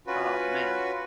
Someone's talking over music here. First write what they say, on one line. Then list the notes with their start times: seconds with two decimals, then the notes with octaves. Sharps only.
Oh, man.
0.07 C#4 F4 F#4 B4